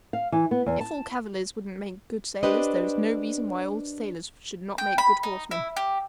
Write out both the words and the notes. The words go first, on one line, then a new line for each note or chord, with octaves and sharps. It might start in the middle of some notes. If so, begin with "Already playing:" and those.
If all cavaliers wouldn't make good sailors, there is no reason why all sailors should not make good horsemen.
F5
E3
B3
E2
A5
D4 G4 B4 C5 D#5
G5
B5
D#4
E4
G4